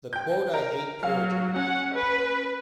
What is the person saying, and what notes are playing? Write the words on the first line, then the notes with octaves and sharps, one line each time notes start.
The quote I hate purity.
G5 G6
A#4
F#3 F5
C#4 F#5
B4